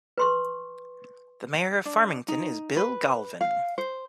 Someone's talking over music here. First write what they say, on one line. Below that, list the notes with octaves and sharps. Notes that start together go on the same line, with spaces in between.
The Mayor of Farmington is Bill Galvin.
B4 C6 C#6
D4
D#4
B4
F5
C5